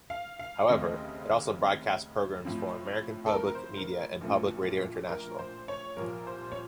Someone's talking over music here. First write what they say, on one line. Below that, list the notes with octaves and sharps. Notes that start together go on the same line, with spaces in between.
However, it also broadcasts programs from American Public Media and Public Radio International.
F5
F5
D#2 C#3 A3 C4 D#5
A2 F3 C4
A4
A#4
A#4
C5
A#4
A#1 A#2 F3 A3 C#4
A#4
C5
C#5
C2 A#2 F3 A#4
C5
C#5